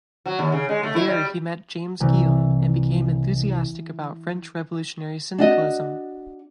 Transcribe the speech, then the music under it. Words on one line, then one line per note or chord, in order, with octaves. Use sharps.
There he met James Guillaume and became enthusiastic about French revolutionary syndicalism.
F#3
D#2
C#3
G#3
A3
E4
G3
C2 E3
D4 F#4 D#5